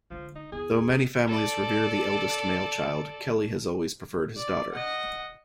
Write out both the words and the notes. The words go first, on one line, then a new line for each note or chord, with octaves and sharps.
Though many families revere the eldest male child, Kelly has always preferred his daughter.
D3 F3 G#3
D#4
E2 G#4
C3
A4 D5
D5
D#5 F#5